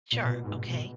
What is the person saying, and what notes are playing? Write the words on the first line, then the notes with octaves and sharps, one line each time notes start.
Sure. Okay.
A#2
B2
G#2
B2